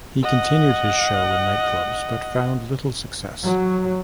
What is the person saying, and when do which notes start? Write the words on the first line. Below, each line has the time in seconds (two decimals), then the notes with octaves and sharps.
He continued his show in nightclubs but found little success.
0.23 D#5 F#5
3.44 F#3